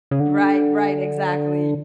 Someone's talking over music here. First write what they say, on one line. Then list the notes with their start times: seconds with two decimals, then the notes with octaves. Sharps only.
Right, right, exactly.
0.11 C#3
0.20 D3